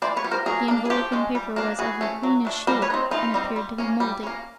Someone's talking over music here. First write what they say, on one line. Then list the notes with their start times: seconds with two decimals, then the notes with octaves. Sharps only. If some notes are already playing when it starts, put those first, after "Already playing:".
The enveloping paper was of a greenish hue, and appeared to be mouldy.
0.02 E3 C5 D5
0.16 B4 C#5
0.24 G3 B3
0.31 A#4 C5
0.46 F#3 G#4 A#4
0.68 A#3 D4
0.85 G#4
0.90 F3 G4 A4
1.12 G#3 C#4
1.35 G3
1.56 A#3 D4
1.79 E3 F#4 G#4
2.01 A3 C#4
2.23 F#3
2.45 A3 D4
2.67 G3 A#4 C5
2.82 B4 C#5
2.90 C4 D#4
3.11 E3 D#4 F4
3.34 G3 C4 D#4
3.56 G3
3.78 A#3 C#4
4.00 G3
4.23 A#3 C#4